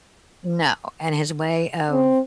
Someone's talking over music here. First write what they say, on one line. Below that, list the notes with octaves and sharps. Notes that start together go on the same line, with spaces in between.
No. And his way of
C4